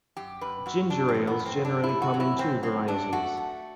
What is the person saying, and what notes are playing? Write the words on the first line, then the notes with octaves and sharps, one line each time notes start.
Ginger ales generally come in two varieties.
F#2 G4
F#2 B4
F#2 F#4
F#2 D4
C4
E3
B3
F#2
C4
F#3 D4
E4
A3
F#4
F#3
E4
F#2 C4
F#3 C4
A3 D4
A3 F#4
A3